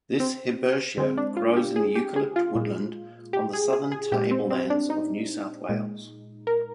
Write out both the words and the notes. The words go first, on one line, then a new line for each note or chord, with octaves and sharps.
This hibbertia grows in eucalypt woodland on the Southern Tablelands of New South Wales.
C4
D3 G#3 C4
D4
F4
G4
G#4
G4
G#4
F4
A#2 G#3
G4
G#4
G#4
G#4
A#2 G#3 G4
C4
C4
D4
D#4
A#2 G#3
A#4